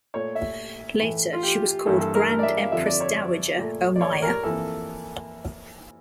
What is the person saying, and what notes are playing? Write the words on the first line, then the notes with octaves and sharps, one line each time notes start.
Later, she was called Grand Empress Dowager Omiya.
A#2 A3 C#5
E5
A2 E3 A3
F4
G4
G2 E3 A#3 A4
A4
A#4
A#4
D5
E5
F5
F2 D3 F3 E5
D5
C#5
A#2 A3
D5
C#5
A#4
F2 E3 A#3 A4